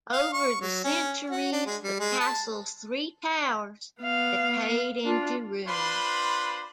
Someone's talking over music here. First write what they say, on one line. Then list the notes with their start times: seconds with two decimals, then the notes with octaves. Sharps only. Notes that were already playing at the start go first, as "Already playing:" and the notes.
Over the centuries, the Castle's three towers decayed into ruin.
0.13 F5
0.33 C#6
0.61 F#3
0.84 C#4
1.30 F#4
1.52 D4
1.66 G#3
1.83 G3
1.99 G#3
2.20 A5
4.02 B3 F5
5.05 D4 F4
5.66 D4 F4 B4 C5 B5 C6